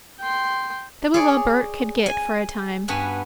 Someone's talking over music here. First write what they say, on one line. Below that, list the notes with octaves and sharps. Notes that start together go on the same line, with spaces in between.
That was all Bert could get for a time.
G5 C6
G#4 C#5 D5
G#5
G2 B3 F#4 G#5